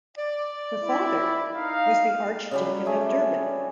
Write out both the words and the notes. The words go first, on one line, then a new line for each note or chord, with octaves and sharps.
Her father was the Archdeacon of Durban.
D5
E4
D#4 F5
C#3 F#3 G3
A3 G#4